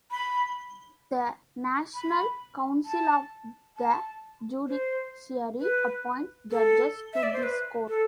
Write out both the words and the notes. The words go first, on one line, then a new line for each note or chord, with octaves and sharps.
The National Council of the Judiciary appoints judges to this court.
B5
B5
A5
A5
C5
B4
A4
E5
D5
C5
B4
A4